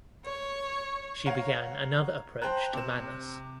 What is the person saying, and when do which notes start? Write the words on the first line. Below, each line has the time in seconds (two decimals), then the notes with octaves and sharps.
She began another approach to Manus.
0.25 C#5
1.26 C#5 F5 F#5 A#5
2.42 C5 G5 A5 A#5 F#6
2.73 C3 E7